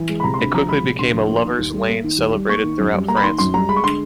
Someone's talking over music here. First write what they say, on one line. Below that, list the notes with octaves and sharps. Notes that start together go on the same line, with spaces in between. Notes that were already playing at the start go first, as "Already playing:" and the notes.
It quickly became a lover's lane celebrated throughout France.
Already playing: E3
G#3
B5
C3 A#5
C6
D2 B5
F3 A#5
G#3 B5
C3
D2 C6
F3
A#3
D#3
D#2
G3
A#3
D#3
D#2
G3
A#3 C#6
D#3
F#2
G3
A#3 A#5
B5
D#3 C6
F#2 C6
G3 A#5
G#3 B5
C#6
D3 C6